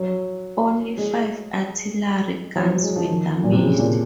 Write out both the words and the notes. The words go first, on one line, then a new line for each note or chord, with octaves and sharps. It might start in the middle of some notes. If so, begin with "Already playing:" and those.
Only five artillery guns were damaged.
Already playing: F#3
G#3
F#3
F#3
G#3
F3
D#3
A#2
C3
C#3
A#2